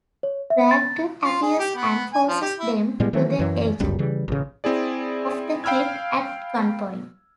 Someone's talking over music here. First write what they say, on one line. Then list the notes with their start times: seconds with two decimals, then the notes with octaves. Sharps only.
Bragdon appears and forces them to the edge of the cliff at gunpoint.
0.23 C#5
0.50 E5
0.71 A6
1.23 F4
1.42 G#4
1.59 G4
1.76 B3
2.13 G#5
2.29 F3
2.41 G4
2.59 E4
3.00 A2 G3 G#3 B3
3.13 D#3 E3 F#3 A3
3.39 F#2 E3 F#3
3.80 G1 C#2 F#2 G3
3.99 C#3 E3 G3
4.28 A1 C#3
4.64 C4 E4 G#4 D5
5.64 F5 G5 B5 E6 F6 G#6